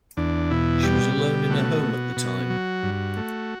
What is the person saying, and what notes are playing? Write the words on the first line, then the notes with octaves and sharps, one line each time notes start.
She was alone in her home at the time.
E2 D4
B2 E4
G3 G4
B2
A3 F#4
B2
B2
F#3
G2
A3